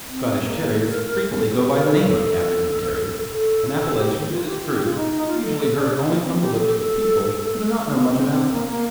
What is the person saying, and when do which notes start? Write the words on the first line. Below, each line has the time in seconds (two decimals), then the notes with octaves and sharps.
Scottish Terriers frequently go by the name of Aberdeen Terriers--an appellation, it is true, usually heard only from the lips of people who do not know much about them.
0.08 C4
0.41 A#3
0.73 A4
0.89 A#4
1.05 A#4
1.38 A4
1.48 A4
1.54 G4
1.71 A#4
1.87 A4
2.03 A4
3.33 A4
3.97 G4
4.29 F4
4.46 G4
4.62 F4
4.73 G4
4.84 F4
4.95 D#4
5.27 F4
5.44 A4
5.59 A4
5.76 D4
6.08 A#3
6.24 C4
6.40 G4
6.57 A4
7.86 A#3
8.08 C4
8.30 C4
8.51 A#3
8.68 A#3